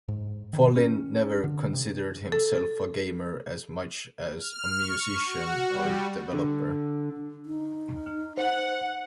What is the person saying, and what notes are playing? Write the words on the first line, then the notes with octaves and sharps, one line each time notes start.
Follin never considered himself a gamer as much as a musician or developer.
G#2
D#3
C#4
D3
C3
A4
F6
C#6
F#4
G3
D3
D#4
C5 F#5